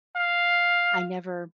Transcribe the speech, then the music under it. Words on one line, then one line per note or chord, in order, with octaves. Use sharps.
I never
F5